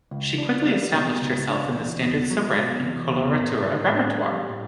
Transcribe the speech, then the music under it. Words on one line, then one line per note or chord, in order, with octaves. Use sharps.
She quickly established herself in the standard soubrette and coloratura repertoire.
C#2
D4
G3
B2
C#2
D4
E2
B3
F#3
B2
E2
B3
A2
A2
D4
G3
A2